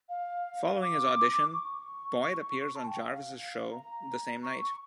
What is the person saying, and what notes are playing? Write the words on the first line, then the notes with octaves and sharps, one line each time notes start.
Following his audition, Boyd appeared on Jarvis' show the same night.
F5
D6
C#6
A5
G5
F5
A#5
C#6
C#6